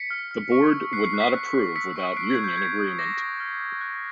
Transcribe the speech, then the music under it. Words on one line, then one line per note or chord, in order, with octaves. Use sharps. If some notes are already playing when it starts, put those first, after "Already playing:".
The Board would not approve without union agreement.
Already playing: B6 C#7
F6
F6
C#6
E6
F#6 C7
C7
F#6
B6
F#6 C7
F#6
E6 B6 C#7
C#6
F#6 C7 D7
G#6
F#6
G6
G6 G#6
D#6
D6 A#6
D6
F6
F6
F#6